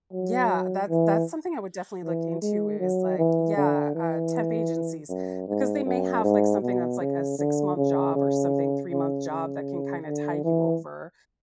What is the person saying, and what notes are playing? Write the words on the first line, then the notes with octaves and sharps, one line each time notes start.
yeah, that's that's something I would definitely look into is like, yeah, uh, temp agencies, because they may have like something that's like a six-month job or something three-month job that can kinda tide you over
F#3
E3
E3
G#3
F#3
E3
D3
E3
F#2
G#2
F#2
G#2
B2
C#3
D3
C#3
C#3
C#3
C#3
D3
E3